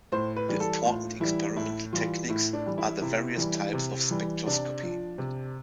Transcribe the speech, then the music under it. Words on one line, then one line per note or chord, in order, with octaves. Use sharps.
The important experimental techniques are the various types of spectroscopy.
A2 C5
B4
E3 G3
A4
A2 F4
E3 G3 E4
A2 E4
E3 G3 F4
A2 E4
D4
E3 G3
E4
C3 E4
E3 G3
C3
E3 G3
C3 D4
F3
C3